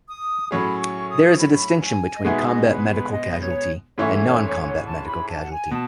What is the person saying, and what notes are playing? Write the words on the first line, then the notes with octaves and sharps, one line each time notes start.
There is a distinction between combat medical casualty and non-combat medical casualty.
D#6
A2 F#3 C#4 G#4 B5
C#6
D#6
B5
G#5
D#5
B2 G#3 B3 D#4 G#4 E5
D#5
B4
B4
D#5
C#5
G#2 E3 A3 C#4 E4 C#5
A5
B5
A5
F#5
G#5
B2 A5